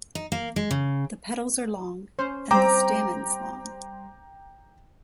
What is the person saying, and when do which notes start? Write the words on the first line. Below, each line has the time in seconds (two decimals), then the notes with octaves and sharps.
The petals are long and the stamens long.
0.15 D#4
0.32 A#3
0.56 G#3
0.71 C#3
2.19 C#4 C5
2.51 G3 C4 C5 G5 A#5 D6